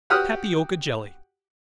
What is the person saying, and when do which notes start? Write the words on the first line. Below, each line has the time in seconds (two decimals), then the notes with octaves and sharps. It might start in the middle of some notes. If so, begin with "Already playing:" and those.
Tapioca Jelly.
0.10 F#4 G4 F#5 D#6 F6